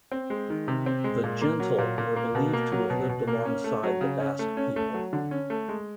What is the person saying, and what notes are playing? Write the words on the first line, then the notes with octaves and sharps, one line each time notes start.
The "jentil" were believed to have lived alongside the Basque people.
C4
G#3
D#3
C3
C4
G#3
A#2
A#3
F#3
A#2
A#2
A#3
B2
A#3
F#3
B2
B2
A#3
C#4
A3
F#3
C#3
C#4
A3
C#4
A3
F#3
D3
C#4
A3
G#3